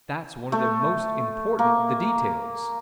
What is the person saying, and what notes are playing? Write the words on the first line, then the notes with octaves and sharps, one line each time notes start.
That's one of the most important of the details.
A3
A#3